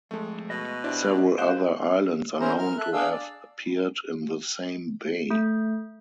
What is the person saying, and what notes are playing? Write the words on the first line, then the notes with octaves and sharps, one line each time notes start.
Several other islands are known to have appeared in the same bay.
F2 G#3 A3 A4
B2 D#5
D4 E4 G4 C5 D5
G4 C5 D#5 F5 F#5 F#6
C#4 E4 A#4 C5 A#5
A#4 F6
A4 E5 F#6
D4 G#4 F5 E6
D5
A3